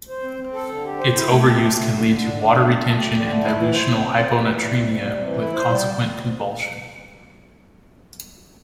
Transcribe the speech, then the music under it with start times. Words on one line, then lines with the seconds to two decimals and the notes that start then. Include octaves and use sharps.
Its overuse can lead to water retention and dilutional hyponatremia with consequent convulsion.
0.09 C5
0.23 C4
0.39 C4
0.53 A4
0.69 D3
0.84 G4
0.99 C5
1.15 E4
1.29 A3
1.44 G4
1.60 A3
1.75 D3
1.90 D3
2.05 D3
2.21 D4
2.36 D4
2.51 D4
2.66 A3
2.80 A3
2.96 G4
3.11 D3
3.26 A3
3.41 E4
3.56 E3
3.72 C5
3.86 C4
4.02 C4
4.16 C5
4.32 G4
4.47 E3
4.62 G3
4.78 C3
4.92 G3
5.08 C3
5.22 E3
5.38 E4
5.53 C5
5.68 G3